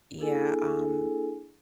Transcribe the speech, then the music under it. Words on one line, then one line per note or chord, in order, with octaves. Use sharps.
Yeah. Um,
A#3 D4 E4 G#4 A4 G#5